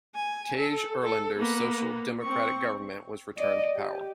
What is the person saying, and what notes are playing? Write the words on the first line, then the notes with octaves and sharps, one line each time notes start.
Tage Erlander's Social Democratic government was returned to power.
G#5
A4
A4
A#3 B3
C4 C#6
D5 D#5
G4